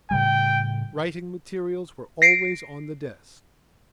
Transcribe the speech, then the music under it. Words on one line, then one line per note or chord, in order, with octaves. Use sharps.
Writing materials were always on the desk.
A2 C#3 G3 G5
A#6 C7 D7